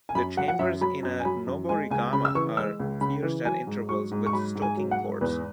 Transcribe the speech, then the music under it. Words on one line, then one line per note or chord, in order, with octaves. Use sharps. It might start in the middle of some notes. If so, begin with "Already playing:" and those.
The chambers in a noborigama are pierced at intervals with stoking ports.
G#5
F#2 B5
F#3 F#5
F#5
F#2 E5
F#3 B5
F#2
G#5
F#3 B5
F#2
G#3 G#5
C#2 G#5
C#3 B5
E6
E3 C#6
G#3 E6
C#2
C#3 B5
E3
F#3 G#5
G#2
F#3 C#6
G#2
C#6
F#3 B5
G#2
G#5
F#3
F#5
G#2
E2 B4